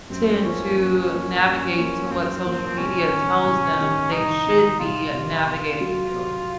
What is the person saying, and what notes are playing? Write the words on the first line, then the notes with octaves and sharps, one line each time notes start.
tend to navigate to what social media tells them they should be navigating to.
F#2 C4
F3 A#3 C#4 F4 C5
F#2 C#4
F3 A#3 F4 C5
F#2
F3 A#3 F4 C5
F#2 C4
F3 A#3 F4 C5
C2 C#4
C3 D#3
C2
C3 D#3
C2 D#4
C3 D#3
C2 F4
C3 D#3
C3
F#3 A3
C3